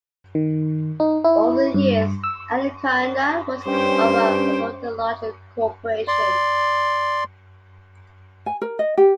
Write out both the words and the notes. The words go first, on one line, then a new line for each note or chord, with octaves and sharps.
Over the years, Anaconda was owned by assorted larger corporations.
D#3
D#4
E4
G2
E6
G2 C#4 C5 G5
D5 C6
G#5
A#4
D#5
G4